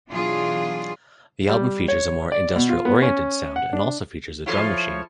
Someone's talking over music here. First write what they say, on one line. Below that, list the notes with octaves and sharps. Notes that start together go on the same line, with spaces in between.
The album features a more industrial-oriented sound and also features a drum machine.
B2 E3 F#3 D4 F4 G#4
G3
C#5
D5
B2
F4
B3
C#4
F#5
D4
F3 E4 F4 A4 C#5